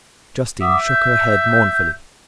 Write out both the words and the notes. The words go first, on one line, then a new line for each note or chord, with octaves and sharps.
Justine shook her head mournfully.
E5 F#5 D6 D#6
G6